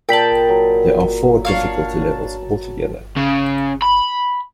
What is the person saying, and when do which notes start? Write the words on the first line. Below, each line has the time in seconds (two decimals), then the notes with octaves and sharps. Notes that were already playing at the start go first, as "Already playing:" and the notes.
There are four difficulty levels altogether.
0.09 A#2 G#4 A#4 B4 G5 A5 B6 F#7
0.49 F#3
1.45 D4 C#5 F5
2.02 A5
3.16 C#3
3.82 B5